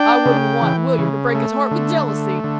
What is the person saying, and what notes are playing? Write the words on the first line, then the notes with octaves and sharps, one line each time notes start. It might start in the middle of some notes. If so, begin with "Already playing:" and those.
I wouldn't want William to break his heart with jealousy.
Already playing: D4 G5
C#3
E3
C#3
A3
D3
A3
D3